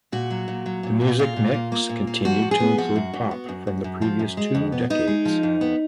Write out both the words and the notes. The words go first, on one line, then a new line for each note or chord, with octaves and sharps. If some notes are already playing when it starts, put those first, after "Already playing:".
The music mix continued to include pop from the previous two decades.
A#2 F#4
F#3
A#2
F#3
A#2
A#2
A#2 F4
A#2
A#3
A#3
A#2
A#3
F3 F#4
F3
G#4
B3
F3 F#4
F#2
F#2
B3
F#2
F#2
F#2
F3
F#2
G#3
F2
B3
B3 D#4
G#3
F3
F2
B3